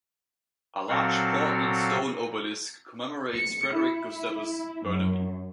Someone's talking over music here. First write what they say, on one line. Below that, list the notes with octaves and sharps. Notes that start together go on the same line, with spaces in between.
A large Portland stone obelisk commemorates Frederick Gustavus Burnaby.
A#2 F#3 C4 F#4 A4 F5
C#7
E4
F#2